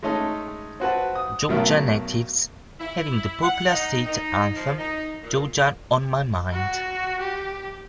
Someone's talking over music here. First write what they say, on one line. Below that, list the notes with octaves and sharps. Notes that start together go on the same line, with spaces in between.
Georgia natives having the popular state anthem Georgia on My Mind.
G#3 A3 C#4 D#4 A4
C4 F#4 B4 A5
D#6
B1 B2 F#3 A3 A#4
E4
F#5
D#4
D#4
F3
D#4
A#2
F#4
G4